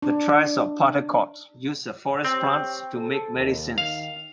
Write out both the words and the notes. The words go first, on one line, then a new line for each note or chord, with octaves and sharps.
The tribes of Patalkot use the forest plants to make medicines.
D4
C4 G4 C#5 G5
A4
D#2
D#3 F5